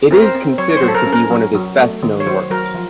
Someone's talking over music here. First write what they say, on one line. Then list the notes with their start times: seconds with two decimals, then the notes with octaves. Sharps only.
It is considered to be one of his best known works.
0.11 C4 A#4
0.22 C5
0.35 C4
0.58 F#3 C#5
0.70 C#5
0.77 C5
0.82 F#3
0.88 A4
0.95 A#4
1.07 C#4
1.13 A#4
1.31 F#3
1.55 F#3
1.78 A3
2.03 D#3
2.20 C#5
2.27 F#3 C5
2.51 F#3 A#4
2.75 F3